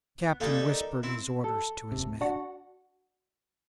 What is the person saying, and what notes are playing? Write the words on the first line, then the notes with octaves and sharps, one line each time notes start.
The captain whispered his orders to his men.
B3
A#2 G3 A#3 D#4 A4 F5
A#4
C4 E4
A4
D#1 C3
D4 F#4